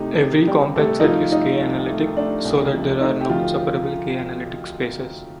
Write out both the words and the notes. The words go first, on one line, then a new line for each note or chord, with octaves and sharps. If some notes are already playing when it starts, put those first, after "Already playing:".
Every compact set is K-analytic so that there are non-separable K-analytic spaces.
Already playing: C3 A3 D#4
C3
C3 G3 G4
C3 A3 A4
D#4
F3 F4
A3 D#4
C2
A3
A3 D4
C2
F3
A3 D#4
G4
D2 F3 F4